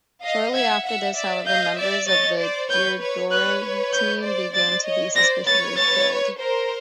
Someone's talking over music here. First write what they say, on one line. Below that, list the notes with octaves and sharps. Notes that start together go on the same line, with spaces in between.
Shortly after this, however, members of the Gridiron team begin to be suspiciously killed.
D#5 F5
E5 F#5 G#6
E5 F#5
D5 E5
D#5 F5 G6
D5 E5
C#5 D#5 A6
C5 D5
B4 C#5 G6
B4 C#5
B4 C#5 F#6
G6
C5 D5
C5 D5 A6
C#5 D#5
C5 D5 A#6
B4 C#5 A6
A6
A#4 C5